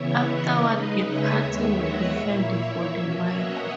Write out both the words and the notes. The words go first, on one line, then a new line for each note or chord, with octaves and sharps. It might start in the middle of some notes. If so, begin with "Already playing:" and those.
Afterward, a party would be held for the "maiko".
Already playing: C#3 E3 B3 E4 C#5 E5
D#5 F#5
C#3 G#3 D#4 B4 D#5
C#5 E5
D#2 D#3 G#3 B3
D#5 F#5
A#2 A#3 E4 C#5 E5
B2 A#3 C#4 C#5 E5
D#5 F#5